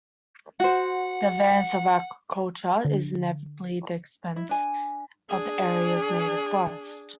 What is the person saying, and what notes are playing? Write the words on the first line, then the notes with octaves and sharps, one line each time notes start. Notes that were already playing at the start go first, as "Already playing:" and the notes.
The advance of agriculture is inevitably at the expense of the area's native forest.
F#4 C5 F#5
D3
E4
D4 G#5
D4 G#4